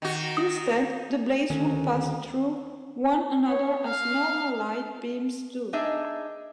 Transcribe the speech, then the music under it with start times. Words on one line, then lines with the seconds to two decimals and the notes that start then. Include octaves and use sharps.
Instead, the blades would pass through one another as normal light beams do.
0.02 D#3 F#4
0.37 D#6
1.50 D2 D#3 C#4
3.47 C#5
3.87 F5
5.73 D4 D#4 G#4 D#5 E5